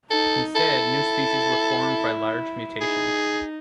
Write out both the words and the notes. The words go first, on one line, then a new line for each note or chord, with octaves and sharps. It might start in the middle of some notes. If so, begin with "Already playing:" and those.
Instead, new species were formed by large mutations.
D#4 A4
E4 A4
D#4 G#4